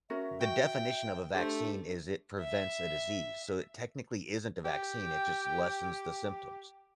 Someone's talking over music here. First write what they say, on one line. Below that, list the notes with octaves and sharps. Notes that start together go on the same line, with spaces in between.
the definition of a vaccine is it prevents a disease, so, it technically isn't a vaccine, it just lessens the symptoms.
C#4 F#4 A#4 E5
F#4 G5
A3 D4 G4 C5
E5
G4 G5